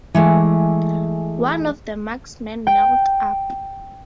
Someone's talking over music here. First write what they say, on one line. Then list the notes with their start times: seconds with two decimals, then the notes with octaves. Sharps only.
One of the marksmen knelt up.
0.15 E3 G#3 A3
2.67 G5